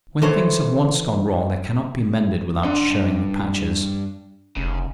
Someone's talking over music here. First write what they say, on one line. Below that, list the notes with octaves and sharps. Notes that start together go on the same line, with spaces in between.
When things have once gone wrong they cannot be mended without showing the patches.
E3 A4 C5 C#5
D4 F#5 C6
G2
F1 C#3